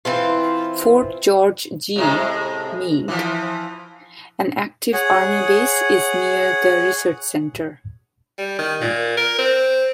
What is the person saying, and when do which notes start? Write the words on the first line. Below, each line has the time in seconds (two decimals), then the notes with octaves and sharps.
Fort George G. Meade, an active Army base, is near the research center.
0.05 E3 C4 F4
1.96 A2 C3 G#3
3.08 E3 F3
4.93 G#4 C#5 F#5
8.38 G3
8.59 D#3
8.82 A#2
9.17 A#4
9.38 C4